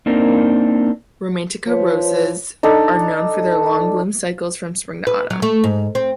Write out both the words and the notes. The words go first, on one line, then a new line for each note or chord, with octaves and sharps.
Romantica roses are known for their long bloom cycles from spring to autumn.
A#3 C4 D4 D#4 A#4
F3 B4 C#5
D4 D#4 A4
B4
F#3
A3
G#2
C4